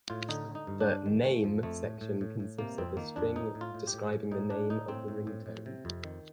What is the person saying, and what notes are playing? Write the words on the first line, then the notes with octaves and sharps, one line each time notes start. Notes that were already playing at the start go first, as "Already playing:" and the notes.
The "name" section consists of a string describing the name of the ringtone.
A2 F4
D3 D#4
D3
D#4
G2
D4
G2
D#3
D#3 A3
F2 F3
F2 A3
A2
A2
A2
A2
C3 A#3
F2 C4
D#3 A#3
F2 D4
A2 D#4
A2
F4
A2
G4
A2
A2
A2 D#4
A2 D4
A2 D#4
A2 C4
A2
A2
A2
C3
F2
D#3